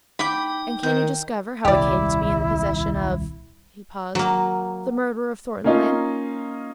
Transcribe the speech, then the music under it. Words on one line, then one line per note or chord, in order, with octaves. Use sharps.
"And can you discover how it came to be in the possession of----" he paused, "the murderer of Thornton Lyne?"
D#4 G5 B5 D6 G6
D#3 G6
D#1 C2 E4 G4 D5
F#3 A#3
A#3 C#4 D#4 F4